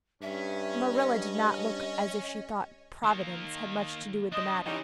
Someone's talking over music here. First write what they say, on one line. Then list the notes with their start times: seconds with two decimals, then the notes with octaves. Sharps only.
Marilla did not look as if she thought Providence had much to do with the matter.
0.22 G2 C#4 E5
0.92 D#5
3.04 D#3 A#3
4.32 D4 C5 D#5
4.66 E3 C#4 D#4 G4